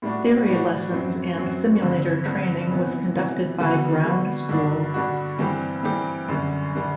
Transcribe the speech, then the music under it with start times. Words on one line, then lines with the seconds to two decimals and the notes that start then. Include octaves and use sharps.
Theory lessons and simulator training was conducted by "Ground School".
0.02 A2 G3 D4 F#4
0.48 A2 G3 D4 F#4
0.92 F#2 F#3 C4
1.36 F#2 F#3 C4
1.81 G2 D3 G3 C4
2.26 G2 D3 G3 C4
2.70 C3 E3 B3
3.15 C3 E3 B3
3.60 D3 G3 B3 F#4
4.05 D3 G3 B3 F#4
4.49 G2 D3 G3 D4 F#4
4.94 G2 D3 G3 D4 F#4
5.39 G2 E3 G3 C4 G4
5.83 G2 E3 G3 C4 G4
6.28 F#2 D3 G3
6.75 D3 G3